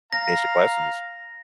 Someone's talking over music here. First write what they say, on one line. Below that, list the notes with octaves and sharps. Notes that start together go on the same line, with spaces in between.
basic lessons,
F5 A#5 A#6